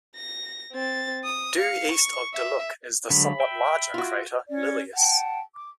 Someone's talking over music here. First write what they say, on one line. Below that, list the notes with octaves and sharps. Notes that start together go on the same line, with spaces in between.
Due east of Deluc is the somewhat larger crater Lilius.
A#6
C4 A6
D#6
F5 C#7
C#6
E5
D3 F#3 G#3 B5
E5 G5
F4 F#4
C#4 D5
F#5 G5 A5
D6